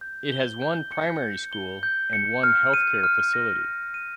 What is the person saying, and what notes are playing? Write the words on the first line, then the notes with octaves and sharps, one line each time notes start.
It has one primary school and one healthcare facility.
G6
G7
G6
C#7
G6
G7
G6
C#7
F6
D#7
F6
A#6
F6
D#7